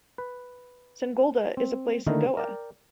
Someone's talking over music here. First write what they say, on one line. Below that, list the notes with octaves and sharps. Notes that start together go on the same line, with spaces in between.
Sangolda is a place in Goa.
B4
C4
D3 D#3 A3 D#4 E4 A#4
A#4 D5 G5